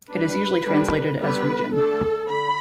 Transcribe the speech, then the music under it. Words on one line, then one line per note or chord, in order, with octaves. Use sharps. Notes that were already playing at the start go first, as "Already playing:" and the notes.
It is usually translated as "region".
G3 D4 B4
D3 G3 D4
D3 G3 B3 B4
D3 A3 D4 A4
D3 B5